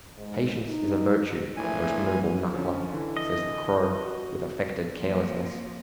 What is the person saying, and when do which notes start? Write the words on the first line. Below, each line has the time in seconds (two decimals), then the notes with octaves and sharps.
"Patience is a virtue, most noble knuckler!" says the Crow, with affected carelessness.
0.17 G#2
0.69 D#4
1.57 A#1 A2 E3 G#5
2.52 D3 F3 C#4
2.93 D3 E3 E4
3.17 D#5
4.04 F#4
4.97 F3 A#3